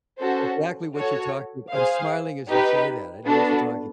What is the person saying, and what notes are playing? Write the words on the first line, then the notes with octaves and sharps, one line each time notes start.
Exactly what you're talking abou I'm smiling as you say that. I know what you're talking
C#4 F#4 A4 C5
F#4 A4 C#5
G#4 C5 F5
D#4 G4 B4
B3 D4 F#4 A4